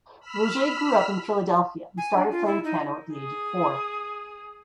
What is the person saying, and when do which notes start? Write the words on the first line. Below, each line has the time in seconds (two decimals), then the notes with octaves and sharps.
Roget grew up in Philadelphia and starting playing piano at the age of four.
0.20 B5 E6 F6 B6
1.98 G#5
2.16 D4
2.31 F4
2.46 E4
2.64 D#4
3.13 G#4 D#6